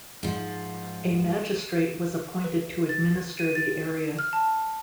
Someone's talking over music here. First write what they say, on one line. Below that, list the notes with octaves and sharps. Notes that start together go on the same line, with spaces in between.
A magistrate was appointed to administer the area.
G#2 F3
B4
A6
D#7
A6
F6
A5